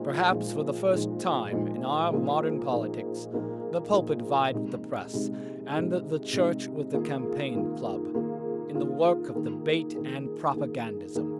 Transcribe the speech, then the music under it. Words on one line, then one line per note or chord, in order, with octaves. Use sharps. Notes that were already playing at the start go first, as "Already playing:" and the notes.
Perhaps for the first time in our modern politics, the pulpit vied with the press, and the Church with the campaign club, in the work of debate and propagandism.
Already playing: A#2 F3 G#3 D#4
A#2 F3 G#3 D#4
A#2 F3 G#3 D#4
A#2 F3 G#3 D#4
A#2 F3 A#3 D#4 G#4
A#2 F3 A#3 D#4 G#4
A#2 F3 A#3 D#4 G#4
A#2 F3 A#3 D#4 G#4
C3 G#3 D#4
C3 G#3 D#4
C3 G#3 D#4
C3 G#3 D#4
D#3 A#3 F4 G#4
D#3 A#3 F4 G#4
D#3 A#3 F4 G#4
D#3 A#3 F4 G#4
D#3 A#3 G#4
D#3 A#3 G#4
D#3 A#3 G#4
D#3 A#3 G#4